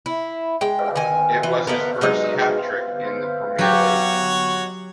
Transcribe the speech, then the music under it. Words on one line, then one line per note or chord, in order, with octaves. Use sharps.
It was his first hat-trick in the Premier League.
E4
G#3 G5
D#3 G#5
E3 F4
B3 A4 A#4
F#3 G#3 D#4
F#3 F#4 G4 C#5